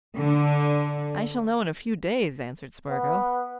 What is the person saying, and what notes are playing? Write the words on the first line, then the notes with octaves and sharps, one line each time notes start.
"I shall know in a few days," answered Spargo.
D3
B3